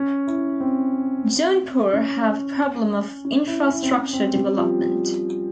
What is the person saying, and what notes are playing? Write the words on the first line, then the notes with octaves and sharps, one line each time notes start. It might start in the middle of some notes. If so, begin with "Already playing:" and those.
Jaunpur have problem of infrastructure development.
Already playing: C#4
E4
C4
C#4
C#4
E4
E4
C4
C#4
C4
G3
F3